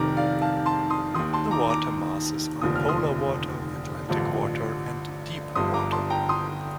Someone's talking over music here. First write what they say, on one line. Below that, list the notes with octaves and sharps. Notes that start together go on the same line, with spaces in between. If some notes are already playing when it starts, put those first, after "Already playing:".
The water masses are Polar Water, Atlantic Water, and Deep Water.
Already playing: F1 F2 C3 D#3 A#5 D6
D5 F5
F5 A5
A5 C6
C6 D#6
D#2 D#3 C6 D#6
A5 C6
A#5 D6
A#5 D6
F1 D#2 D3 F3 D#6
F6
C6 D#6
A1 G2 D3 F3
G1 G2 D3 F3 C6 D#6
A#5 D6
A5 C6
G5 A#5
C6 D#6